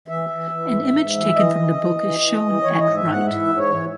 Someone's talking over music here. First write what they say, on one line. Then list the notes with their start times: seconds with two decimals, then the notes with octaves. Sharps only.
An image taken from the book is shown at right.
0.08 E3 E5
0.30 E3
0.51 E3
0.72 G#2
0.94 G#2
1.15 E3
1.35 E3 D#5
1.56 E3
1.78 E3
1.99 E3
2.20 E3
2.41 E3
2.63 E3 C#5
2.79 D#5
2.84 G#2
2.94 E5
3.04 G#2
3.10 F#5
3.25 E3 E5
3.47 G#2
3.57 C#5
3.68 E3